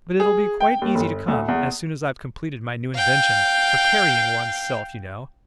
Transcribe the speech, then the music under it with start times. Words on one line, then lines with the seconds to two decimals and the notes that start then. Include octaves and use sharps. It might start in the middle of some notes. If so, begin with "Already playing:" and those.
But it'll be quite easy to come, as soon as I've completed my new invention--for carrying one's-self, you know.
0.20 G#4
0.60 G5
0.82 D#2
0.95 G1
1.28 D2
1.48 E2
2.95 F5 G5